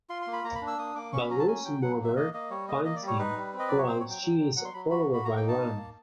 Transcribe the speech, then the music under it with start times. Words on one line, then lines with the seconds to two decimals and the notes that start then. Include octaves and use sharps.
Ballu's mother finds him, while she is followed by Ram.
0.10 F4 C6
0.22 C6
0.27 A#3
0.33 B5
0.44 A#3 A#5
0.55 B5
0.62 D4
0.67 E6
0.79 A#3 D#6
0.95 A#3 D6
1.13 C#4 C#6
1.21 B5
1.30 F#3 A#5
1.39 A5
1.47 C#4 G#5
1.65 F#3 G5
1.82 F#3 F#5
2.00 A#3 E5
2.16 A#3 D#5
2.33 A#3 D#5
2.50 G3 C#5
2.68 A#3 D#5
2.85 A#3 D#5
2.96 D5
3.02 G3
3.07 C#5
3.19 D#4 B4
3.36 G3
3.53 C4
3.59 D#5
3.68 F#3 D5
3.78 C#5
3.88 C4 C5
4.00 F#3 C#5
4.10 G5
4.22 F#3
4.39 F#3
4.56 F#3 F#5
4.65 C6
4.74 F#3 B5
4.91 F#4 B5
5.08 A#3
5.14 B5
5.25 A#3 A#5
5.37 G5
5.42 D#4
5.48 A5
5.60 A#3
5.77 A#3